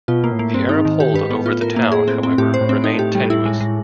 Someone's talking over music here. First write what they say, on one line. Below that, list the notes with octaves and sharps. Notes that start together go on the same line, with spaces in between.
The Arab hold over the town, however, remained tenuous.
B2 F4
A#3
A2
A#3
G2 C4
D#4
G#2
D#3
G4
G2 B4
G#2
B3
A2 F4
A#4
A#3
G#4
C4
C4
A2 G4
C5
A2
C4
D#4
G4
G3
E4
G#3
G#3